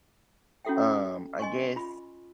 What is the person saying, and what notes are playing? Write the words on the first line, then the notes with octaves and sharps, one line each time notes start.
um, I guess
C#4 E4 F#4 A4 E5 G5
D#5 G#5 C6 C#6
F4 B5